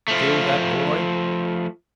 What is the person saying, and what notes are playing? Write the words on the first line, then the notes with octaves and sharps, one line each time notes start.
Kill that boy?
F3 A3